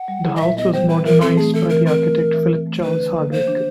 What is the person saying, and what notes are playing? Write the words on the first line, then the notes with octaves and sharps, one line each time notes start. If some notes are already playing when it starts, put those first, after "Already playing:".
The house was modernised by the architect Philip Charles Hardwick.
Already playing: F#5
G3
E4
D#5
A#2 E5
B3 D#5
G3 C5
E3 B4
E3 A#4
C4 A4
A3 G#4
E3 A4
E3 A#4
C4 A#4
A3
E3
E3
C4
A3
D4 B4
D3
A#3
F3 C5
D4